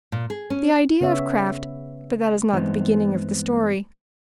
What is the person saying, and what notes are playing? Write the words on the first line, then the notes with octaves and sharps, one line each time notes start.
The idea of Kraft--but that is not the beginning of the story.
A#2
G#4
C#4
C#3 B3 C#5 E5
G2 E3 G#3 B3 C4 D#4